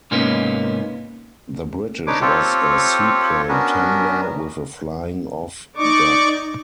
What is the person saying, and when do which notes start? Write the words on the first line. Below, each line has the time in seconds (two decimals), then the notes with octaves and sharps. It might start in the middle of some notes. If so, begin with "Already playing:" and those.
The British was a seaplane tender with a flying-off deck.
0.11 G#2 C3 A#3 B3 C#4 D#4
2.07 D4 D#4 B4 C#5 D6
2.21 C4 F4 G4 A4 C#5
3.49 B3 C#4 D4 F#4 A#4 B4
5.76 D#4 D5 C#6 D6